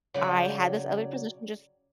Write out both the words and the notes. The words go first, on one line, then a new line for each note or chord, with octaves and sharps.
I had this other position just
C#3 F#3 D5 G5